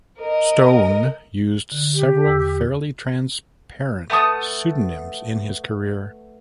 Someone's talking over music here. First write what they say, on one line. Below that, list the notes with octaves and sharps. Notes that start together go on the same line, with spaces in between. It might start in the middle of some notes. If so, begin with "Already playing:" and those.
Stone used several fairly transparent pseudonyms in his career.
A#4 D#5
D3
G4
E2 E6
A3 B3 A5 D#6